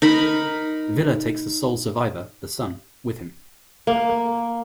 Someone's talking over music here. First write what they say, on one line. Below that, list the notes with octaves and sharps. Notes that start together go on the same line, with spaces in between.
Villa takes the sole survivor, the son, with him.
D#4 A#4 B5
A#3